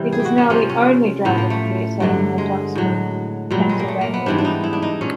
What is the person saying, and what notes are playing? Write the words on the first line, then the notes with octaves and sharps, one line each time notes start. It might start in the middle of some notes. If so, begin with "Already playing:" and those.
It is now the only drive-in theater in the Johnstown, Pennsylvania region.
Already playing: C3 E3 G3
G#4
G4
F#4
C#4
C3 F3 C#4
C#4
A2 F3 B3
A#3
A3
G2 D3 F#3
G#3
A2 F#3
A#2 F#3 G3
G#3
A#3
A3
A#3
B3
G#2 E3 G3 D4
D4
D#4
E4
D4
D#4
A#2 C#4